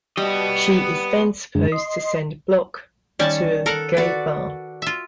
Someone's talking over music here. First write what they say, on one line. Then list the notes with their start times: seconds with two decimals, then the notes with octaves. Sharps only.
She is then supposed to send Block to a gay bar.
0.17 G3 B3 D#5
1.55 F#2 D3 G#3
1.72 D#5 C6
3.19 D#3 G3 C#4 D5 A5 C#6
3.66 A4 A#4 F5 F#5
3.97 F#4 B4 D5
4.82 F4 E5